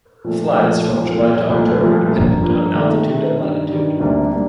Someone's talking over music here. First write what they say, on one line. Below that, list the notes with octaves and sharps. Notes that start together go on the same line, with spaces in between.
Flies from July to October dependent on altitude and latitude.
A#2 F3 A3
A#2 F3 A3
C2 A#2 F3
C2 A#2 F3
C2 A#2 F3 A3
C2 A#2 F3 A3
G2 F3 A#3
G2 F3 A#3
C3 D#3 A3
C3 D#3 A3
G2 D#3 G3
G2 D#3 G3
D2 C3 G3 A#3 D4
G3 A#3 D4